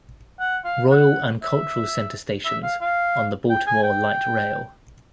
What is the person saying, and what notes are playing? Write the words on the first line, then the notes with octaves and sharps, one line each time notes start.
Royal and Cultural Center stations on the Baltimore Light Rail.
F#5
F5
F#5
E5
E5
F5
F5
G5
G#5
G5